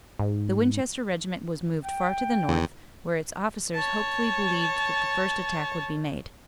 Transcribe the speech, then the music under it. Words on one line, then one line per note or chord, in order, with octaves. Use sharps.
The Winchester regiment was moved far to the north, where its officers hopefully believed that the first attack would be made.
G#2
G5
E2
C#5 A5